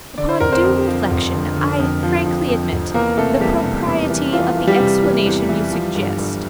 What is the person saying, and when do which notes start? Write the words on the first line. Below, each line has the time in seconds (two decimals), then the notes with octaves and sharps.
Upon due reflection I frankly admit the propriety of the explanation you suggest.
0.18 D3 D5
0.29 C5
0.40 F1 A#4
0.52 C4 C5
0.63 F2
0.87 F3
1.11 F1
1.33 D3
1.56 D3
1.79 F2
2.03 F3
2.25 F2
2.48 F2
2.72 F1
2.94 E2 A#3 A#4
3.17 C3 A3 A4
3.40 E2 G3 G4
3.64 C3
3.87 E2
4.10 E3
4.33 E3 F4
4.56 E3
4.67 G3 G4
4.79 C3
5.03 E3
5.26 E2
5.49 E3
5.72 F3
5.95 G1
6.18 G1